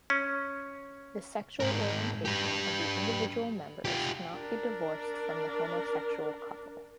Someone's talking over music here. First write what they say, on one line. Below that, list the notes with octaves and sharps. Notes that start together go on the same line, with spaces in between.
The sexual orientation of the individual members cannot be divorced from the homosexual couple.
C#4
G#2 A#4
G4 B4
F4 G4
D4 A#4